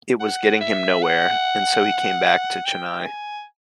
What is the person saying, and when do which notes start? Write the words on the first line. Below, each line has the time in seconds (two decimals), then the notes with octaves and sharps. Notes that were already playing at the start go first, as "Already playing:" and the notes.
It was getting him nowhere and so he came back to Chennai.
0.20 F#5
0.61 E5
1.02 F#5
2.65 G5
3.06 G#5